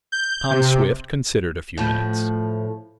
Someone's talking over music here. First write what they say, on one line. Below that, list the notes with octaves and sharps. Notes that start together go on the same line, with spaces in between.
Tom Swift considered a few minutes.
G6
C3
A2 F3